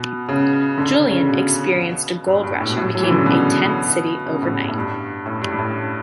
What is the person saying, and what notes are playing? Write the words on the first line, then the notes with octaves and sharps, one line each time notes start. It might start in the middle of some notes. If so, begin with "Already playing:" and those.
Julian experienced a gold rush and became a tent city overnight.
Already playing: B2
C#3
D3
C#3
C#3
B2
G2
G2
A2
B2
A2
F#3
E3
D3
C#3
B2
C#3
A2
G2
A2
G2
A2
G2
G2
A2